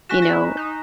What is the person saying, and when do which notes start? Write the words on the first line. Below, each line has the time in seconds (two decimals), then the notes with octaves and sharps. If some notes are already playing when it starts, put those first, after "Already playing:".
you know,
0.09 F#4 G#5 C#6 F#6 B6 E7
0.22 F#4
0.33 E4
0.45 D#4
0.57 D#4